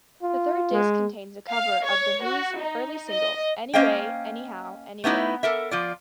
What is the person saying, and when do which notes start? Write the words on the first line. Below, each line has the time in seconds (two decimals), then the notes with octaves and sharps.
The third disc contains a cover of The Who's early single "Anyway, Anyhow, Anywhere".
0.22 F4
0.71 G#3
1.49 F5
1.84 C#5
2.23 F#4
2.59 D#4
3.09 D#5
3.74 A#3 C#4 C5 D#5 F5 G5
5.04 A3 B3 D#4 E4
5.43 A4 A#4 E5
5.71 F3 F4 D5